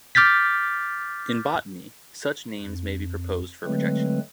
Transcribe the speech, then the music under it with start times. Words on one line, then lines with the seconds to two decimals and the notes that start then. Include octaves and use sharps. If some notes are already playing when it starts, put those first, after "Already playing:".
In botany, such names may be proposed for rejection.
0.15 D6 F6 G6 A6 B6
2.60 F2
3.64 D3 F#3 G#3 A3 C4 B4